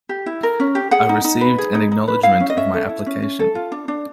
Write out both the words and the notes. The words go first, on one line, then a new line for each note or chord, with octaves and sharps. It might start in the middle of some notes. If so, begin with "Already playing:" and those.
I received an acknowledgement of my application.
G4
E4
A#4
C#4
G4
G#4 F#5
D#4
D#4
B4
G#4
D#4
D#4
B4
E4 F5
C#4
D#5
C#4 E5
A4
E4
C#4
C#4
A4
F4
D4
D4